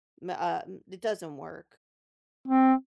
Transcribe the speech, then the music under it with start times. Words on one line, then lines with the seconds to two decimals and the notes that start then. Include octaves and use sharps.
ma uh, m it doesn't work.
2.48 C4